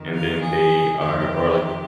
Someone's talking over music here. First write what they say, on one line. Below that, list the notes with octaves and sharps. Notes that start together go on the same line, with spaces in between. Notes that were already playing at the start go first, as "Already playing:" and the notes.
and then they are or like a
Already playing: F2 D#3
F5
G#4
F2 C3 D#3 G4